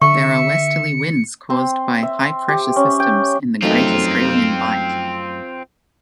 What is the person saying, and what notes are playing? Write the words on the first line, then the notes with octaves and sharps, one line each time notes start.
These are westerly winds caused by high pressure systems in the Great Australian Bight.
D3 E5 C#6 C#7
C4
E5
G4
C#4
G5
F#2 A3 C4 D#4 F4